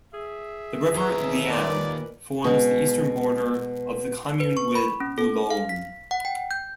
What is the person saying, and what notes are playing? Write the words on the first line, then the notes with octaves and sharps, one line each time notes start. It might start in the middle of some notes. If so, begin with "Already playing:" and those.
The river Liane forms the eastern border of the commune with Boulogne.
G#4 E5
D#2 E3 B4 A#5 C6
A#2 A#4 B4 D5
B2 G#3
B4
C#6
B5
C#4
A4
F5
B6
F#5
G5
G6